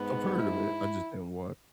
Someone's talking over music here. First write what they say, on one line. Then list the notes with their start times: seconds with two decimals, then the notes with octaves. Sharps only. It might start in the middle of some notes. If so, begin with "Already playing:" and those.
I've heard of it. I just didn't wa
Already playing: G#2 B3
0.39 E4